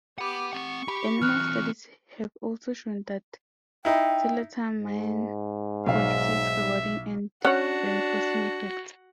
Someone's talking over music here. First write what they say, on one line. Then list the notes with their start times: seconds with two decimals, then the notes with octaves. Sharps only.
Animal studies have also shown that tiletamine produces rewarding and reinforcing effects.
0.18 G4 F#5 B5 D6
0.53 C4 F#5 C#6
0.88 G4 B5
1.22 E3 C4 F6 F#6
3.85 D#4 E4 G5
4.79 G#2
5.87 B1 E5 F5
7.45 C#4 D4 F#4 C#5 F#5